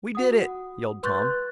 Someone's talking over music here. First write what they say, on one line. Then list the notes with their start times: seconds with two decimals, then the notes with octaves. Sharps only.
"We did it!" yelled Tom.
0.15 F#4 F#5 D#6
1.03 B4 C6 C#6 F#6 G6 A6